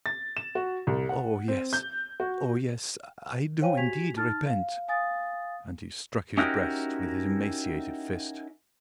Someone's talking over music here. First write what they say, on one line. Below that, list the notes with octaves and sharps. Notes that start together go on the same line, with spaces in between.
"Oh, yes; oh, yes, I do indeed repent." And he struck his breast with his emaciated fist.
A6
E7
F#4
C2
F#5
C4
G6
F#4
C5 C#5 F5 G5 G#5 D#7
F#4 G4 G#5 G#6 B6 F7
D#4 A5 F6 A6
F5
F5 G#5 D#6 A6
C#4 D#4 E4 F#4 G4 A#4